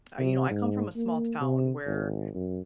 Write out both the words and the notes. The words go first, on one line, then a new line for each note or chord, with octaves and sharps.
uh, you know, I come from a small town where,
C3
G#2
A#3
C3
G#1
F#2